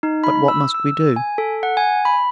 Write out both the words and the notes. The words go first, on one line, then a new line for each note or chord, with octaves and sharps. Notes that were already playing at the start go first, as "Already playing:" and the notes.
But what must we do?
D#4
B5
E6
E6
G#5
A4
F#5
G#5
B5